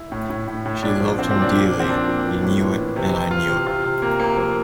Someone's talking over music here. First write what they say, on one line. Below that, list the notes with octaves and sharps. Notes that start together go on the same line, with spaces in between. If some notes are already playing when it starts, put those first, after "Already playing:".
She loved him dearly; he knew it, and I knew it.
Already playing: E4
A2
A2
A2
A2
A#2 D4
F3
A#2 C4
C4
A#2
D4
A#2
F3
C4
F3 D4
A#2
E3
A2
E3
E3
C3
C3
C3 F4
C3
C3 F4
C3
C3 A#3
C3 A#3
F3 A#3